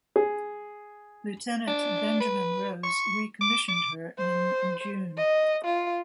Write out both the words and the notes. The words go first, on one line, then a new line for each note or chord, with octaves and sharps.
Lieutenant Benjamin Rose recommissioned her in June.
G#4
D4
B4
C#6
D6
D6
C5
D#5
F4